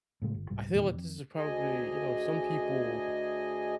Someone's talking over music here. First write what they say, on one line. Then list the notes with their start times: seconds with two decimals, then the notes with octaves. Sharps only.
I feel like this is probably, you know, some people
0.22 A2 C#3 G#3
0.34 G1
0.50 C2 G#2 G3
0.73 F1 E2 A#2 D#3
0.95 F2
1.36 D2 G#4 D#5 G#5